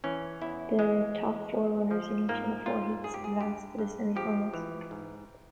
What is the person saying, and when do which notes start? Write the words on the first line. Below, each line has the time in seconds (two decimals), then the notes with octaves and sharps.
The top four runners in each of the four heats advanced to the semifinals.
0.04 E3 C#4
0.41 E2 E4
0.79 E3 G#3
1.16 E2
1.53 F3
1.91 F3
2.29 G#2 A#3
2.66 G#2 F4
3.04 G2 G#4
3.14 G4
3.24 G#4
3.41 G2 G4
3.78 G2
4.16 F3 G4
4.54 E3
4.91 G#2